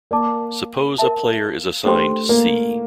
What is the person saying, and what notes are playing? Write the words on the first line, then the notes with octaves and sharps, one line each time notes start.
Suppose a player is assigned "C".
A#3 A#4 D5 A5 D6
A#4 E5 A5
A3 D4 G4 C5 G5 C6
A#3